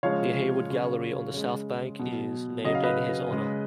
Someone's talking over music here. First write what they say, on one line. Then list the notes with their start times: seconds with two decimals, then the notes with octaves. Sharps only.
The Hayward Gallery on the South Bank is named in his honour.
0.03 C#3 F3 G#3 C#5 F5
0.69 C#3 F#3
1.34 C#3 G#3
1.99 B2 F#3
2.65 C#3 F#3 D#5
2.75 F5
2.83 B4 D#5
3.31 C#3 G#3